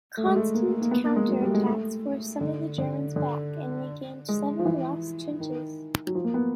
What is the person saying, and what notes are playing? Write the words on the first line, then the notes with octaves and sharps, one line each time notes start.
Constant counter-attacks forced some of the Germans back and regained several lost trenches.
A3
G#3
A3
A#3
A#3
B3
A#3
G#3
F#3
G3
A3
G#3
A3
D3
D3
D3
G#3
F3
E3
D#3
F#3
F3
A#3
B3